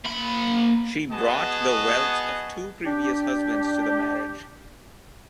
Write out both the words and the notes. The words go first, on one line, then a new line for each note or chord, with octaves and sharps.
She brought the wealth of two previous husbands to the marriage.
A#3 B5
B3 F#4 G#4 D#5 A5
D4 G4